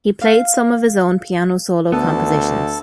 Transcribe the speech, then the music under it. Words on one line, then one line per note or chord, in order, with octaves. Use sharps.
He played some of his own piano solo compositions.
F5
D2 B3 A4